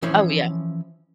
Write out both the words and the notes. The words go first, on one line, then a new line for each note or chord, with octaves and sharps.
Oh, yeah.
E3 F3 C#4 E4 C5 C#5